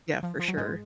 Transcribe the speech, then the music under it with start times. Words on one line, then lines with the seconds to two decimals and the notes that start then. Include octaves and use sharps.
Yeah, for sure.
0.23 F3
0.39 F3
0.48 F#3
0.57 G#2 G#3